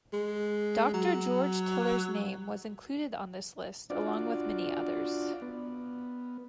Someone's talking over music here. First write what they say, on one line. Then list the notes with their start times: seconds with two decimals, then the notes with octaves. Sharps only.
Doctor George Tiller's name was included on this list along with many others.
0.13 G#3
0.94 F#3
3.90 D4 F4 F#4 D5
5.42 B3